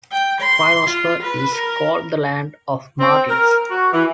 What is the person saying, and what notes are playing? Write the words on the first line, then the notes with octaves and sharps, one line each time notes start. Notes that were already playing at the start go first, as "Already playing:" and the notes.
Firozpur is called 'the land of martyrs'.
G5
C6
F4
B4
A#4
C4
A#4
F#4
E3